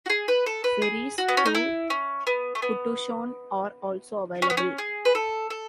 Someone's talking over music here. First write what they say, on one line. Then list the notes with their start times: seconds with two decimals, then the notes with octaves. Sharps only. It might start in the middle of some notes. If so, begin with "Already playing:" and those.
Ferries to Putuoshan are also available.
0.06 F#4
0.10 G#4
0.28 B4
0.46 A4
0.64 B4
0.82 G#4
1.18 F#4
1.29 B3
1.37 C#4
1.46 D#4
1.55 E4
1.90 C#4
2.27 B3
2.55 A3
2.62 B3
4.42 C#4
4.50 B3
4.57 C#4
4.78 G#4
5.05 B4
5.15 A4
5.50 A4